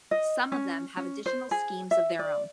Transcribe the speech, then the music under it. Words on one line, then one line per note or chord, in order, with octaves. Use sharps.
Some of them have additional schemes of their own.
D#5
C#4
C#4
C5
G#4
E5
D5